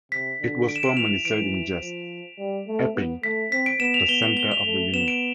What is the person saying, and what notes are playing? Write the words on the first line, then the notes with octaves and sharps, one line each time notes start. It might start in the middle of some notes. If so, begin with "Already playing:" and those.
It was formerly said in jest: Epping -- the center of the universe.
C3 B6
D3
D7
E7
D7
E3 F7
E3 D7
F3
G3
A3
B3
A3 B6
C4 B6
D7
B3 E7
F7
B3 G7
F7
G7
F7
A3
B3 E7
D7